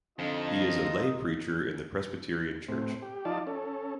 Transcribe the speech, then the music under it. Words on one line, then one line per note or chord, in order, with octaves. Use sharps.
He is a lay preacher in the Presbyterian Church.
F2 D3 D#4 F4 D#5
A2 C4
G4
F3 D#4 F4 D5 A5
C#4 A4